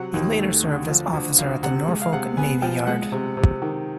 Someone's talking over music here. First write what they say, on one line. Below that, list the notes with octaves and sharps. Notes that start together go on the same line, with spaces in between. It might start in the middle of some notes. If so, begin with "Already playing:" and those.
He later served as Officer at the Norfolk Navy Yard.
Already playing: C3 F#3 F#5
D#2
A3
D3
F3
D2
D2 F5
C3 F#5
G#3
F5
C3 F#5
B3 G#5
F3 G5
G#3 F#5
C3
C3
D#3